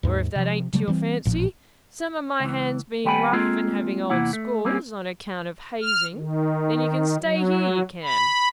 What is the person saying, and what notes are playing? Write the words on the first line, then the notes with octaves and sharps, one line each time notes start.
Or if that ain't to your fancy, some of my hands being rough and having old scores on account of hazing, then you can stay here, you can.
D#2 G#2
C3 F3
C#3 F#3 G3 A3
E3 G3 B3 C4
A1 A#2 F3
C#2 E3
D#2 G3 B3 G5 G#5 B5
G#3 A#3 C4 F4 G#4 A4
E2 C3 A#3 E4 F#5
A3
G3 A#3 C4 C#4
F6
D#3
F#3
B5